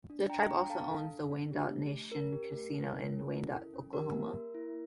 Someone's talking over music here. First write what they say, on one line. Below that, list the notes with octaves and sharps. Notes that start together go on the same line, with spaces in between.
The tribe also owns the Wyandotte Nation Casino in Wyandotte, Oklahoma.
D4
D4 G5 A#5
D4 G5 A#5
A4 F5 A5
A4
D4
D4
G4
A3
A3
C#4 A#4
G4
A3
A4
C#4
C#4
E4
A4
C#4
G4 A#4
A#3
A#3
E4